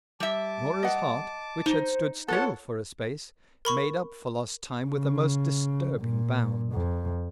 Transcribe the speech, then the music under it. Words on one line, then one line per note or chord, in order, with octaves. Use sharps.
Norah's heart, which had stood still for a space, made up for lost time with a most disturbing bound.
G3 E5 A5 D6
D#5 F#5
D#4 C5
F4 A4 C#5 F#5 A5
A#4 B5 C#6
C#3
A#2
F2